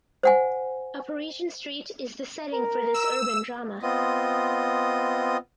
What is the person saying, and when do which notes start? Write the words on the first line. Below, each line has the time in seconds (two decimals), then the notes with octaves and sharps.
A Parisian street is the setting for this urban drama.
0.23 C5 F#5 G#5
2.53 A#4
2.94 E6
3.83 B3 C4 F4 D#5 D#6